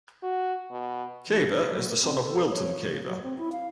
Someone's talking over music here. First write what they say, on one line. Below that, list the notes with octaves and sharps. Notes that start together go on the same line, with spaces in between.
Caver is the son of Wilton Caver.
F#4
B2
E3
D4
F#3
A#4
C4
A4
C#5
C#3
F#3
C4
E4
F5